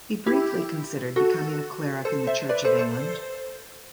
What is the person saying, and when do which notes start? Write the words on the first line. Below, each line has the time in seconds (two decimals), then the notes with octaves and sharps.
He briefly considered becoming a cleric in the Church of England.
0.26 E4 G4
1.16 F#4 A4
2.05 A4 C5
2.27 C5 E5
2.49 B4 D5
2.64 A4 C5
2.79 A4 C5